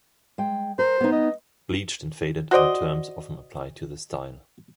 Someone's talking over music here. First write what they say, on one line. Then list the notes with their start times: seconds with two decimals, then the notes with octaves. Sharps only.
Bleached and faded are terms often applied to the style.
0.38 G#3 G5
0.79 A#4 C5
1.01 B3 D#4
1.12 D#5
2.51 F#4 C5 D5 D#5